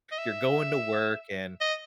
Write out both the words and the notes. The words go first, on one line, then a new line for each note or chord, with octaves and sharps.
you're going to work and,
D#5
E5
D#5